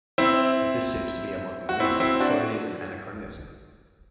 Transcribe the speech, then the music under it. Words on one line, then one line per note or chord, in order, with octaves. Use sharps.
But this seems to be a modern myth, for it is an anachronism.
C4 E4
F#4
C4 E4
C4 E4
D4 F#4